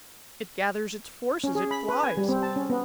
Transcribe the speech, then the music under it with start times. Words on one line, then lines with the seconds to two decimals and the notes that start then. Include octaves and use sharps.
It gathers its forces, it flies!
1.44 C#4
1.55 G#4
1.71 B5
1.89 B4
2.03 G#5
2.17 G3
2.29 C4
2.42 A5
2.56 C#4
2.70 B3